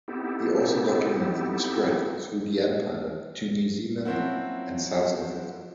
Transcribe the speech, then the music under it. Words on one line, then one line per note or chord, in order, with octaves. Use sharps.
He also documents its spread through the Empire, to New Zealand and South Africa.
B3 C4 D#4 E4 G4 A4
F3 F#3 C4 C#4 E4 F#4